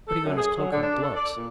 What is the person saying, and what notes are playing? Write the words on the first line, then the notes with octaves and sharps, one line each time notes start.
"Putting on his cloak and gloves."
A4
F#2
G#4
F#3
D3
D4
A4
D5
A#2